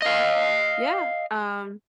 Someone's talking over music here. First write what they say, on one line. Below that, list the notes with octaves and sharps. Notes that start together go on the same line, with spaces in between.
Yeah. Um
D#5 F5